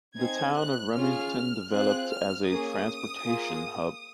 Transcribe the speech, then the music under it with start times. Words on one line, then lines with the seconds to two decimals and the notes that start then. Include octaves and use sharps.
The town of Remington developed as a transportation hub.
0.17 C4 D#4 G#4 G#6
0.56 F#6
0.95 C#4 F4 G#4 F6
1.71 C4 F4 G#4 F#6
2.11 F6
2.48 A#3 C#4 G#4 D#6
3.25 A#3 F4 G#4